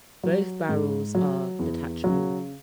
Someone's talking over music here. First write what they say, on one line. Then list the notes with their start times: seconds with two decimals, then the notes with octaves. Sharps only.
Both barrels are detachable.
0.24 F#3
0.69 G#2
1.15 F#3
1.59 E2
2.04 F#3
2.09 C#3